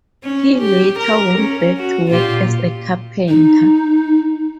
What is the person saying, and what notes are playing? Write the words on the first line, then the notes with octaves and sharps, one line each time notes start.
He later went back to work as a carpenter.
C#4
G4
A#4
C#4
F#4
A#2 F4 G4
D#4